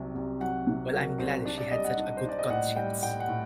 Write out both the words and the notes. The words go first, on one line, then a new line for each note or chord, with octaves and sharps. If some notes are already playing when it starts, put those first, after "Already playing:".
Well, I'm glad she had such a good conscience.
Already playing: C2 C3 F#3
C2
F#3 F#5
C3
F#3 A#4
C2 C5
D4 D5
D5
G3 D#5
F#5
D4
C5
D4 D5
D#5
A2 F#5
G3 G5
A2 G5
F#5
A2